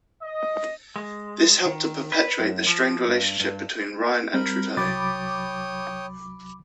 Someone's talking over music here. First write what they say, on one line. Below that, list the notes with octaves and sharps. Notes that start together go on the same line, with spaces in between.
This helped to perpetuate the strained relationship between Ryan and Trudeau.
D#5
G#3
D#3
B4
F#2
F3
G2
G2
G3 C4 A#4 B5
C2 F#3 C#5 G5 B5 D6 D#6 A6